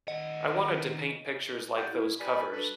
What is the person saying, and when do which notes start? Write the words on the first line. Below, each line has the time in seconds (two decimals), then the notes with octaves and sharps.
I wanted to paint pictures like those covers.
0.08 D#3 D#5 F#5
1.76 G4 D5 F#5 G5
1.93 E4
2.19 G4 B4 D5 G#5 B5
2.51 G3 D4 F#4 A4 B4